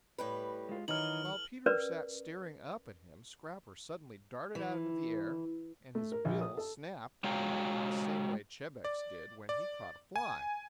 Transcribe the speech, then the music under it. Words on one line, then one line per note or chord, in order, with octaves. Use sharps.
While Peter sat staring up at him Scrapper suddenly darted out into the air, and his bill snapped in quite the same way Chebec's did when he caught a fly.
A2 G3 B4
G#3 F4
D#3 E3 F#3 D#4 F6 F#7
A4
C#4 A#4 B4 D5
E3
A3
A#4
A#1
D#6
A4
G#3 F#4 C#5 F5 G5 A#5
D5
D5
G#5